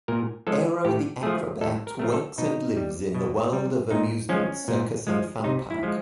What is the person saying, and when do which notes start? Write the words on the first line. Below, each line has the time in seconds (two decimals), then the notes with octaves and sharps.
Aero the Acro-Bat works and lives in The World of Amusement Circus and Funpark.
0.08 A#2 A#4
0.47 F3 G#3 A4
0.85 A2 G4
1.23 F3 A3 G#4
1.61 A2 A4
1.87 A#4
1.99 F3 A3 A#4
2.12 A4
2.38 B2 D#4
2.77 G3
3.15 B2
3.53 G3
3.91 A#2 D#4
4.29 F3 G#3 C#4
4.68 A#2
5.07 F3 G#3
5.44 C3 D#4
5.70 E4
5.83 F3 G#3